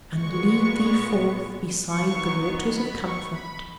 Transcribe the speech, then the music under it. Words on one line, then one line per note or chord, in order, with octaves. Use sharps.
And lead thee forth beside the waters of comfort.'
A#2 G#3 B3 C#6
D#3 F#3 B3 C#6
B5
C#6
B5